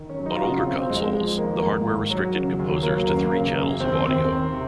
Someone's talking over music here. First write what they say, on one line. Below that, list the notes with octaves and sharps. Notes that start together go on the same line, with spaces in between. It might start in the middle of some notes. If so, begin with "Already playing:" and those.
On older consoles, the hardware restricted composers to three channels of audio.
Already playing: D#3
C#4
F#3
D#4
F4
C#3 F#4
F4
C#3 C4
C4
F2 G#3
F3
D#3 A#3
G#2 A#3
D#3
F#3
C#3
D#2
F#3 A#3
F#2 A#3
C#3 A#3
F#2
D#2 C4
D#2 C4
D#3
C3